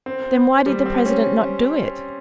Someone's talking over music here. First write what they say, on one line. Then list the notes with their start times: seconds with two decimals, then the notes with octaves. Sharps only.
"Then why did the president not do it?"
0.06 C4
0.66 G3
0.86 C4
1.06 C#4